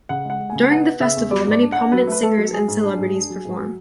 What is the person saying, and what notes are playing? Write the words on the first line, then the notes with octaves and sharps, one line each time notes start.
During the festival, many prominent singers and celebrities perform.
C#3 F#5
G#3
F#5
G#3
G#5
C#3
B3 F#5
B3
C#3 E5
E2
F#3 D5
G#2 D5
D4
D4 F#5
F#3 B4
A3 B4
A3 A4
F#3
F#3 G#4
G#2
D4
G#2
D4
F#3
G#2
F#3